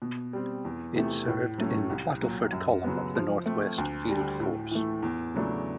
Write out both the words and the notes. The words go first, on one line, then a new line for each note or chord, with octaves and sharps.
It served in the Battleford Column of the North West Field Force.
B2
G3 C4
E2
C3 E3 A3
A2
F#3 A3 C#4
C2
A#2 F#3
F#2
C#3 F#3 B3
F3
A3 C4
D2
D3 G3
A2
E3 A3
E2
C#3 F#3 A3 D4